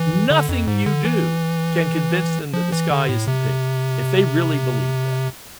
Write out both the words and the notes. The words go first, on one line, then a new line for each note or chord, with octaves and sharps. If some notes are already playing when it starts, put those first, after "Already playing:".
nothing you do can convince them that the sky isn't pink, if they really believe that.
Already playing: E3
D3
F2
G#2
D3
E3
F3
E3
D3
A2
C3